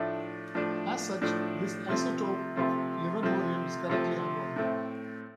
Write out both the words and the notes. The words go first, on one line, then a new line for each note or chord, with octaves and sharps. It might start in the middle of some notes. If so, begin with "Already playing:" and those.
As such, this isotope of livermorium is currently unknown.
Already playing: A2 F3 A3 D4
A2 F3 A3 D4
A2 F3 A3 D4
C3 F3 A3 C4
C3 F3 A3 C4
C3 F3 A3 C4
C3 F3 A3 C4
A2 A3 C4